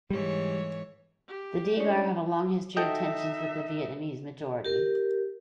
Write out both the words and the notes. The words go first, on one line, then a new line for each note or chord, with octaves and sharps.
The Degar have a long history of tensions with the Vietnamese majority.
G#2 E3 G3 C#5
G4
G#3 C#4 D4 E4 C#5
D#4 F#4 A4 D#5 E5 G5
G4 A#4